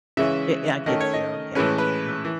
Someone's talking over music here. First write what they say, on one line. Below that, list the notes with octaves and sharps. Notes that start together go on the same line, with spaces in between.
It yeah, I get you, though yes, uh-huh.
C#3 E3 G#3 C#4 E5
D#3 A3 C#4 D#5
C#5
D#5
A2 E3 G#3 C#4 B4
B4
E3